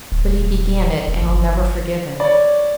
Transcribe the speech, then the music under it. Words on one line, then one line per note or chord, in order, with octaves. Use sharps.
But he began it, and I'll never forgive him.
D1
D#1
E1
G1
C#5 D5